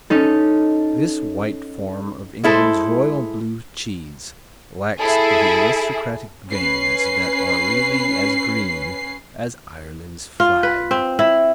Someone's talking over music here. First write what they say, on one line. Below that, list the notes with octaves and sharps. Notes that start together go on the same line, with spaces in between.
This white form of England's royal blue cheese lacks the aristocratic veins that are really as green as Ireland's flag.
C#4 D#4 A4
G#3 E4 A4 C5
E4 G#4 A4
C#4 B4 C7
F4
B4
C4
E4